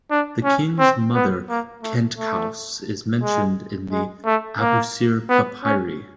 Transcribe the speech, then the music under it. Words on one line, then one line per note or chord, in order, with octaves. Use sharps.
The king's mother Khentkaus is mentioned in the "Abusir Papyri".
D4
C#4
C4
B3
A#3
A3
A3
G#3
G#3
A3
A#3
B3
C#4